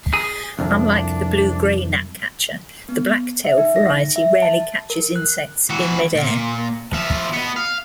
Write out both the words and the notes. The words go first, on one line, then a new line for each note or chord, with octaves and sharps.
Unlike the blue-gray gnatcatcher, the black-tailed variety rarely catches insects in midair.
G#4
C2 F2 D4
B3
E5
D#4
A#6
E5
A5
A#4
F#6
E3 F#4
A#2
F3 E4
B3 D#5
F5